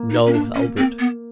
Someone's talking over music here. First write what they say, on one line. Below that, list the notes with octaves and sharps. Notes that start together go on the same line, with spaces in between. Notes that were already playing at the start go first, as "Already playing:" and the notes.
No, Halbert!
Already playing: A#3
D#4
C#4
D4
C#4
C4
B3